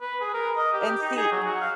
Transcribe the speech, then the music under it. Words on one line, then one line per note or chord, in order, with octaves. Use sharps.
And see,
B4
G#4
A#4
D#5
G4
G4
D#4
G#4
F#3
F#4
F5